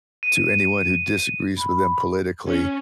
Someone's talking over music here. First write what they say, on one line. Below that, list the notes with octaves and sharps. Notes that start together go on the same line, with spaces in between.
to anyone who disagrees with them politically,
D#7
B5
C#4